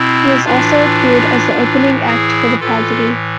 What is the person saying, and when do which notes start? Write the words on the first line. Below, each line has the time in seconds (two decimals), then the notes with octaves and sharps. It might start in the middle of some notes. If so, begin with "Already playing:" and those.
He has also appeared as the opening act for The Prodigy.
Already playing: B2 C4 E4
0.45 A2 E3 D4 F4
1.53 A2 E3
2.06 E4 G#4
2.60 A2 E3 F4 A4